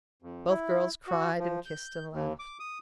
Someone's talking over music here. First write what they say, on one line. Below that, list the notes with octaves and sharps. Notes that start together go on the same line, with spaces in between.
Both girls cried and kissed and laughed.
F2
E4
F#4
F3
G6
D#2
D6
D#6